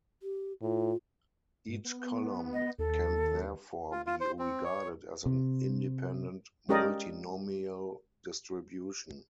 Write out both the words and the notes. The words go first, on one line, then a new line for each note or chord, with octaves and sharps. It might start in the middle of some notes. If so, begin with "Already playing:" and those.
Each column can therefore be regarded as an independent multinomial distribution.
G4
A2 F4
G#2
B3
D#5
D#2 A4
F4
F4
C5
C4
C#5
C3
G#3 C#4 G4 A#4 D5 D#5